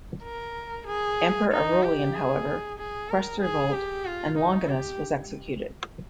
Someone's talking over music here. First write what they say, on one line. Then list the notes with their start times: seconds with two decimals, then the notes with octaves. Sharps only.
Emperor Aurelian, however, crushed the revolt, and Longinus was executed.
0.24 A#4
0.87 G#4
1.51 D#4
1.83 G4
2.15 G#4
2.79 G#4
3.10 A#4
3.42 G#4
3.73 G4
4.05 F4
4.38 D#4
4.69 G4